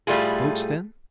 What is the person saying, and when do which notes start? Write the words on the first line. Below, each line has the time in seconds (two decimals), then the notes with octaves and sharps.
Goats, then?
0.07 A2 G3 A3 F4 G#4